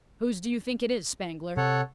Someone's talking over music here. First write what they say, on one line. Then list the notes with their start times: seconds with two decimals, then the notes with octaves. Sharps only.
"Whose do you think it is, Spangler?"
1.57 C3 A4 C#5 F#5